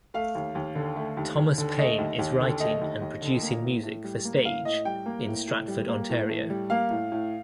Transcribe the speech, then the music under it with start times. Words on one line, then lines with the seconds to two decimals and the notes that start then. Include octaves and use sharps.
Thomas Payne is writing and producing music for stage in Stratford Ontario.
0.14 A3 F5
0.35 D#2
0.55 D#2
0.75 D3
0.96 A3
1.17 D#2
1.37 D#2
1.58 D3
1.78 A3 D#5
1.98 D#2
2.19 D#2
2.40 D3
2.60 A3 D#5
2.81 D#2
3.01 D#2
3.21 D3
3.42 A#3
3.62 A2
3.83 A2
4.04 G3
4.25 A#3
4.45 A2 F5
4.65 A2 D#5
4.85 G3 G5
5.06 A#3
5.26 A2
5.48 A2
5.68 G3
5.88 A#3
6.09 A2
6.29 A2
6.50 G3
6.70 A#3 F5
6.90 A2
7.12 A2